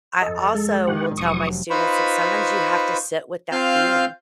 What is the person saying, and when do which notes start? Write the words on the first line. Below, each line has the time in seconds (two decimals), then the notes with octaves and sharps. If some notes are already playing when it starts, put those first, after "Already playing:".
I also will tell my students that sometimes you have to sit with that feeling.
0.22 F2 A4 D#5
0.55 G#3
0.87 D#3 G4 F#5
1.17 F1 F#3 C#6 D#6
1.70 D#4 F4 B4 C5 B5 C#6
3.52 C4 F4 F5 F6 G6